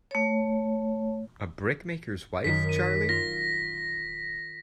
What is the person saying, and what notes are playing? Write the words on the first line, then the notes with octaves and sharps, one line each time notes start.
A brickmaker's wife, Charley?
A3 C#5
F#2 D#3 B6
D#7
A#6
F4 A#6